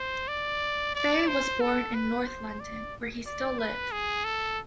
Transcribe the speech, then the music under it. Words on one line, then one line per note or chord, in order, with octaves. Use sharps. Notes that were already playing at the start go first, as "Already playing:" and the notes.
Fay was born in north London, where he still lives.
Already playing: C5
D5
D5
C5
A4
B4
C5
D5
D5
B4
G#4
A4